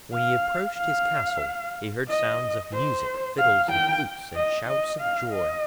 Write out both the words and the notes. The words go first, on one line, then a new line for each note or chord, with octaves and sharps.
When he approached his castle he heard sounds of music, fiddles and flutes, and shouts of joy.
F5
F5
D#5
C5
F5
G5
D#5
D#5
F5
D#5